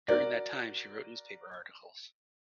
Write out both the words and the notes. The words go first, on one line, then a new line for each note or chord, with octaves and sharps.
During that time she wrote newspaper articles.
F#4 A#4 D5